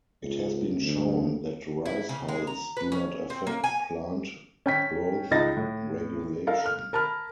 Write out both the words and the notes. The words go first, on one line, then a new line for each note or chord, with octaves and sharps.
It has been shown that rice hulls do not affect plant growth regulation.
C#2
D2
E4
C#3
G#3
A#5
B4
C#4
C4
A#3
G#5
C#4 G5 B6
C#2 D#4 A6 A#6
A2
A4 A#4 F5
F6
A#4 A5 B5 F6